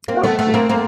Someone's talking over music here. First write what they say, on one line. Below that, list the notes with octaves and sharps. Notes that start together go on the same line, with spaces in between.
Oh, cool.
A#3 C4
A3 B3
A3 B3
A#3 C4
A#3 C4